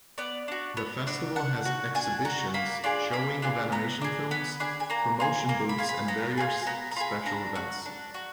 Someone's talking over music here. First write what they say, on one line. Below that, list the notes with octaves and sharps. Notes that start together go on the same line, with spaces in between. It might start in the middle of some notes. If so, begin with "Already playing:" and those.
The festival has exhibitions, showing of animation films, promotion booths and various special events.
B3 D5
D4 F#4
B3
D4 F#4
D4 F#5
F#4
D4 G#5
F#4 A#5
A#3 B5
D4 F4 G#4 D5
A#3 B5
D4 F4 G#4
B3 A#5
D4 G#4
B3 B5
D4 G#4
G#5
A#3 A#5
F4 G#4
A#3 A#5
B5
F4 G#4
B5
B3 A#5
F4 G#4 G#5
B3 A#5
A#5
F4 G#4 B5
D4 A#5
F#4
D4
F#4